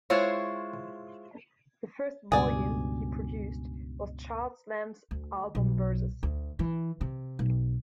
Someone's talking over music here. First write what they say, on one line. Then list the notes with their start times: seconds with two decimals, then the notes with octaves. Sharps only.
The first volume he produced was Charles Lamb's "Album Verses".
0.10 G#3 E4 F4 C5 C#5
2.32 C#2 G2 B2 G#4 D5
5.11 D2
5.55 B1
6.23 D2
6.59 E3
7.01 C3
7.39 B1